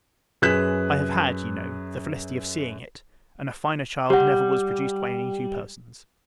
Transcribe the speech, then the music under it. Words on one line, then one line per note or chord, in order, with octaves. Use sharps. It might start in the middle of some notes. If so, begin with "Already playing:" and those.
I have had, you know, the felicity of seeing it, and a finer child never was produced by any two persons.
F#2 G#4 B4 F#6 B6 E7
G3 G4 F#5